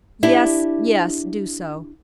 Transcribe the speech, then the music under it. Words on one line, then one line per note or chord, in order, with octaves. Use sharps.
"Yes, yes, do so."
D4 E4 G4